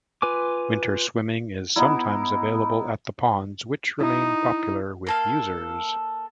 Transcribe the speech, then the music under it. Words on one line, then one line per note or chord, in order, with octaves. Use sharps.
Winter swimming is sometimes available at the ponds, which remain popular with users.
F4 B4 G#5 D6
B3 D#4 E4
D#4 E4
A#3 A4 F5